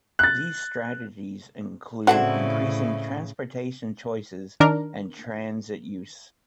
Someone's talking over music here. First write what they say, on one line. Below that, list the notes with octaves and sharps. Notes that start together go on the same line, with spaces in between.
These strategies include increasing transportation choices and transit use.
F#6 A6
A2 C#3 C4 D4 E4 F#4 A4 F#5
D#3 D4 A#4